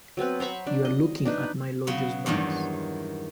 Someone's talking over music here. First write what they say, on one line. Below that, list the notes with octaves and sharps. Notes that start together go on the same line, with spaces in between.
You're looking at my lodger's birds.
F#3 B3 C4 B4
C5 A#5 B5 C#6
D4
D#5
D4 D#4 B4
C#3 F#3 B3
E2 G2 D#3 F#3